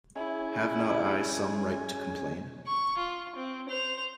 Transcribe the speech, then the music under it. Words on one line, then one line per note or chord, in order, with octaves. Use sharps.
Have not I some right to complain?
C#4 E4 G#4 G#5
C#6
F4
C4
C5 F7